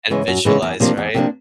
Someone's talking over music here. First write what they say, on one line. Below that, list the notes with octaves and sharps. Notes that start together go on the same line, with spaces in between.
And visualize, right?
C#3 E3 G#3 B3
F#2
C#3 E3 G#3 B3
E2
C3 F3 A#3 D4
E2
C3 F3 A#3 D4